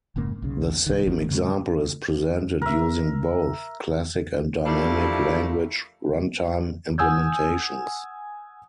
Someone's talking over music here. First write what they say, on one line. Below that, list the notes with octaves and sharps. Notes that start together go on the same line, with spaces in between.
The same example is presented using both classic and Dynamic Language Runtime implementations.
F1 G#2 C#3 A#3
B1 C#3
C2 D#3
G#1 E2 D#3 C#4
A2 C#3 G3 G#3
A#4 E5
F3 G3 A3 A#3 D4 E4
F#5 G#5 D#6 E6 G6 G#6